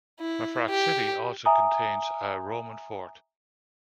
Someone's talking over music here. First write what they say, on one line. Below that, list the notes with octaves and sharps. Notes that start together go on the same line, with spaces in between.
Mafraq city also contains a Roman fort.
E4
G4
E5 G#5 A#5 D#6